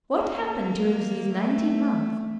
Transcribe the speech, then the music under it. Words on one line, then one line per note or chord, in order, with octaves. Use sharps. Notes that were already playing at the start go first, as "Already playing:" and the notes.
What happened during these nineteen months?
A#3
A#3
A3